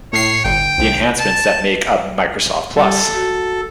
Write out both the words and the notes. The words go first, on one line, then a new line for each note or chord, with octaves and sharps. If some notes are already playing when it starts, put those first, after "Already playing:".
The enhancements that make up Microsoft Plus!
A2 C#5 C7
G1 G5
C2
A5
G3 A4
F#4